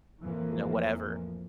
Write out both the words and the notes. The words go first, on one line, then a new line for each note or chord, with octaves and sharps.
you know, whatever.
F2 A2 E3 F3 A#3